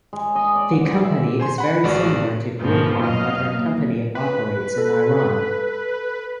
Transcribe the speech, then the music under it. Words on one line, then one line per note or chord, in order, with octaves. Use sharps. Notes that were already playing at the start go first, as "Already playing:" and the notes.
The company is very similar to Groupon but her company operates in Iran.
G#3
D#5
D5
F#5
C5
E5
C5 G#5 C6
F#5 B5
A1 G#3 F#4 D5
D#2 G#2 B2 E3 F3
F#2 D#5 F5
A#3
B4
A4